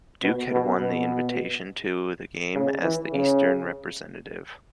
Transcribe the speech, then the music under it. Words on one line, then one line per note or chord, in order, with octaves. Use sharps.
Duke had won the invitation to the game as the eastern representative.
B2
B2
B2
C#3
E3
C#3